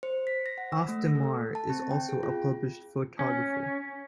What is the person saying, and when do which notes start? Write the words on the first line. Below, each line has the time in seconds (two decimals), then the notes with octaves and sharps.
Auf der Maur is also a published photographer.
0.03 C5
0.27 B6
0.46 A#6
0.58 F#5
0.72 E6
0.89 A3
1.15 A4
1.55 A5
1.70 C4
1.91 G5
2.09 G#4
2.23 F4
3.19 C#4